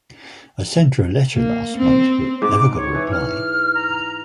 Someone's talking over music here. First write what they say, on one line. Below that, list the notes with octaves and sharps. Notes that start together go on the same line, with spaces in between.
I sent her a letter last month but never got a reply.
A#3
C4
G#2 D6
C#5
E3
F6
A#5